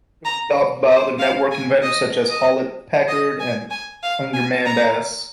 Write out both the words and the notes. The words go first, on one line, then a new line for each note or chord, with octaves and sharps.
It was adopted by other networking vendors such as Hewlett-Packard and Ungermann-Bass.
A#5
C5
F5
G#5
D#5
D#5
D#5
G#5
G#5
F5
G#5
A#5